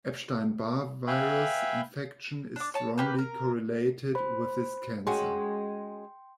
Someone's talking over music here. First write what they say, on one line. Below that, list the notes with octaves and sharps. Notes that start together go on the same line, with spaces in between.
Epstein-Barr virus infection is strongly correlated with this cancer.
B4 E5 F5 G5 G#5 B5
D4 D6
C#5 A5
A#3 G4 B4
A#4
C5 B5
G#3 C#4 F#4 G5 C6